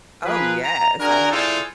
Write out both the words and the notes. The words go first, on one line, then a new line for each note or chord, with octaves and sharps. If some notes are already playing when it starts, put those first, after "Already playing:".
Oh yes, I have.
F3 G#4 A#4 B4
A#5
D4 F#4 G#4 A#4
E4 F4 G#4 A4 C5 D5